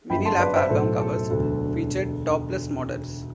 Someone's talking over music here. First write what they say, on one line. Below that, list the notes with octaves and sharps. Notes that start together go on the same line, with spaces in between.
Many Laff album covers featured topless models.
G1 F#2 F#3 G5 B5
A5 C6
B4 D5
C5 E5
B1 A2 F#3 A4 C5
A4
E1 D2 D3 F#3